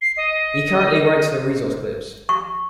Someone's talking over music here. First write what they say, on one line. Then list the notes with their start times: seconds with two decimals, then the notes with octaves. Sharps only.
He currently writes for Resource Clips.
0.02 C7
0.17 D#5
2.29 C#6